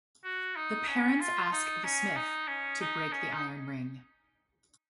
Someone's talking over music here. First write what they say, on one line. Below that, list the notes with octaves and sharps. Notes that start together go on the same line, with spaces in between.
The parents ask the smith to break the iron ring.
F#4
D#4
C#4
F4
D#4
C#4
D#4
C#4
D#4
C#4
D#4